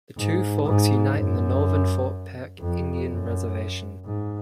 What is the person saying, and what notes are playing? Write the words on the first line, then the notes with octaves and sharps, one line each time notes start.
The two forks unite in the northern Fort Peck Indian Reservation.
G#2
G#2
F#2
F2
F#2
G#2